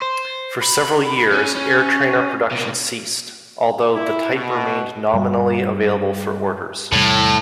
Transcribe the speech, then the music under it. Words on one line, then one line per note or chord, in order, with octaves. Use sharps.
For several years Airtrainer production ceased, although the type remained nominally available for orders.
C5
B5
C#4
C#4
B2 A#3
E4
B2
G2 G3
E2 A2 C3 G3